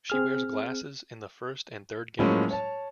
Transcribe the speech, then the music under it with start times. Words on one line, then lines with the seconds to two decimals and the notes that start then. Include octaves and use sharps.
She wears glasses in the first and third games.
0.10 C4 G#4 F6
2.19 A2 F3 F#3 G#3 A#3 C#4
2.51 C#5 A5